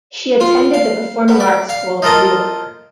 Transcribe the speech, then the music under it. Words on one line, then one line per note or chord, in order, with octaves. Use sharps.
She attended the Performing Arts School Of New York.
F4
F5
B3
D5
F5
D#4 F4 A4 A#4 D#5